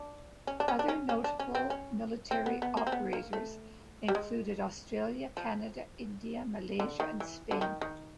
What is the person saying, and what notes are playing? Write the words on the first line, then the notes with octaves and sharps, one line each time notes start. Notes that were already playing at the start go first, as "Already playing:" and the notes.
Other notable military operators included Australia, Canada, India, Malaysia and Spain.
Already playing: D4
C#4
D4
C#4
D4
C#4
C#4
D4
C#4
C4
C#4
C4
B3
B3
A#3
C4
B3
A#3
A3
G3
G#3
F3
D3
D#3
E3
D3
D#3
D#3